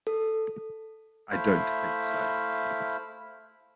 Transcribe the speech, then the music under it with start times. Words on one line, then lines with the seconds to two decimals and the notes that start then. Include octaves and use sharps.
I Don't Think So.
0.07 A4
1.31 A3 E4 C5 F5 B5